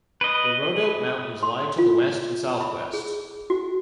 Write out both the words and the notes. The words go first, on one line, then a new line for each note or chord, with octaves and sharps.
The Rhodope mountains lie to the west and southwest.
B4 D#5
C6
F4
B5
G#4
F#4